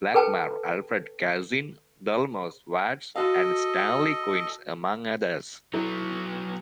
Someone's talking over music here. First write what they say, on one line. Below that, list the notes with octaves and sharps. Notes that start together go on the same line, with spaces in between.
Blackmur, Alfred Kazin, Delmore Schwartz, and Stanley Kunitz among others.
A4 B4 G5 A5
F#4 A4 D#5 F5
F#3 B3 E4 A4 E5